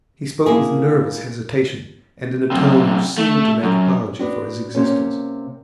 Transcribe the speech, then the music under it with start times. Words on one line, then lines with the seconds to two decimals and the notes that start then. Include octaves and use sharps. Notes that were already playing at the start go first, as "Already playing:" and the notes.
He spoke with nervous hesitation, and in a tone which seemed to make apology for his existence.
0.46 A#3 E4 G#4
2.51 F#2 C3
3.18 A3
3.63 F#2
4.19 B3 D4 F#4
4.75 C3 A#3 C#4